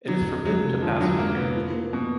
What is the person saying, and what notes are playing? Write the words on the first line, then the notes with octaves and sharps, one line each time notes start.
It is forbidden to pass from here.
D3 F#3
F2
F#3 G#3
F1
D3 F3
D3 F#3
G#3 A#3
F1 B3
F4
A#3
B2 A#3